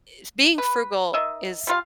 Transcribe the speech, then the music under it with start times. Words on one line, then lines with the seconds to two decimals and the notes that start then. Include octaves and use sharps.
eh, being frugal is
0.58 B4
1.14 D#3 D#5 E5
1.67 G3 F4 F5